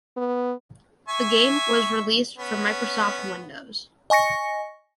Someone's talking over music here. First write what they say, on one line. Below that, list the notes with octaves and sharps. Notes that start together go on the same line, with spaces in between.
The game was released for Microsoft Windows.
B3
E5 G#5 C#6
B3 C#4
D#5 G#5 C#6 A#6 C#7